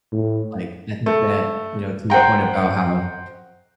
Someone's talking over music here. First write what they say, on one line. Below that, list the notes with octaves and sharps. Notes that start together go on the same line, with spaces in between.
Like, I think that, you know, to your point about how
A2
A3
C5 F#5 G5 A#5